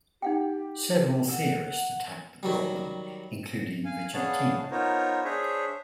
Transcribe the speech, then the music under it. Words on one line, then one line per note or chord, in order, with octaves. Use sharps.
Several theorists attacked the problem, including Vicentino.
D#4 G4 F#5 G5
A#4 F#5
D#3 F#3 G3
F5 G#5
B3 D4 G#4 C#5 F5 A5
B3 D#4 F4 A#4 C5 C#5
D4 G#4 C5 C#5 E5